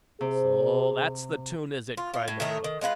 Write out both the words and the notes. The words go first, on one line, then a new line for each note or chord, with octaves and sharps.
"So that's the toon, is it?" cried the cook.
C3 G#4
F4
F4
A2
A2 D#3 A3 A#4
D#3
G#3 D4 F4 B4